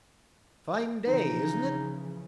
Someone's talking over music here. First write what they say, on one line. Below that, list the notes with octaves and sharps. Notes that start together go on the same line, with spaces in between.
"Fine day, isn't it?"
C#3 E3 F3 D#4